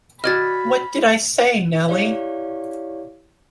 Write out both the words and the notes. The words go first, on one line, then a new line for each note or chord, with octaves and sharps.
What did I say, Nelly?
F#4 D5 D#5 B5 F6 G#6 A6
E4 G4 C#5 D5 F5